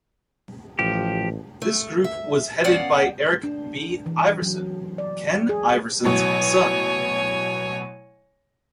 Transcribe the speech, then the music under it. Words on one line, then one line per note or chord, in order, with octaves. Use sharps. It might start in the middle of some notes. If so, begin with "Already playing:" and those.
This group was headed by Eric B. Iverson, Ken Iverson's son.
A1 F3 G4
A3
E5
B3 C#4 D5 F5 F#5
D4
E3
F#3
D5
G#4
A1 B2 F#3 C#5 G#5